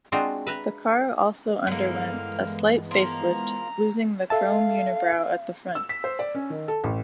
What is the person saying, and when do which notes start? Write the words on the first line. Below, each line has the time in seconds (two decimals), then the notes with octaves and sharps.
The car also underwent a slight facelift, losing the chrome unibrow at the front.
0.12 G#3 C4 D4 F4 F#4
0.47 B4 E5 A#5
1.67 G2 D3 E3 G#3 A#3 B3 F6
2.91 F3 A#3 A#5
4.30 A4 E5 F5 A5
5.75 E6
5.89 B6
6.04 C5
6.19 D5
6.35 C#4
6.50 D#3
6.68 A4
6.84 A1